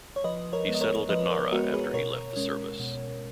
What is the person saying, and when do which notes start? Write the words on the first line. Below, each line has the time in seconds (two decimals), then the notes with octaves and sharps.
He settled at Nara after he left the service.
0.16 C#5
0.24 F3 B4 D#5
0.53 A#4 C#5
0.68 G#3 B3
0.74 D#5
0.81 A#4 C#5
1.09 F3 B4 D#5
1.31 A#4 C#5
1.52 G#3 B3 F#4 A#4
1.73 G#4 B4
1.94 B2 A#4 C#5
2.36 G#3 C#4
2.80 B2